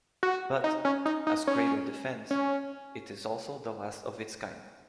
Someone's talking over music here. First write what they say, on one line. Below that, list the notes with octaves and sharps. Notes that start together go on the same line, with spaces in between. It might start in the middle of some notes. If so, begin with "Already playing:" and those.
But, as Crater defends, it is also the last of its kind.
F#4
D#4
C#4
D#4
D#4
C#4
C#4